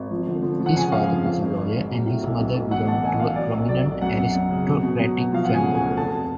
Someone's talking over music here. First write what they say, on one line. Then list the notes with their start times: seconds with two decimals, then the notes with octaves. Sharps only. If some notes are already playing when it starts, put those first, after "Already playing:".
His father was a lawyer and his mother belonged to a prominent aristocratic family.
Already playing: G#1
0.11 F3
0.27 D3
0.43 F3
0.60 F3
0.66 F#5
0.75 C#3 G#5
0.92 F2 F5
1.08 F3
1.24 F2 F5
1.41 G#1
1.57 G#1
1.74 G#2
1.90 F#3
2.06 A2
2.23 B1
2.39 B1
2.54 B1
2.71 A1 F#5
2.87 A1 A5
3.03 A1 G#5
3.20 A1 F5
3.36 F#3 D5
3.53 B1
3.69 B1 D5
3.86 B1
4.01 F#2 F#5
4.18 F#2
4.35 F#2
4.50 C#3
4.67 B2
4.83 B2
4.99 F#3
5.16 B2
5.32 F3 F5
5.44 C#3 F#5
5.54 G#5
5.64 D2
5.75 G#5
5.80 D2
5.97 F1 A5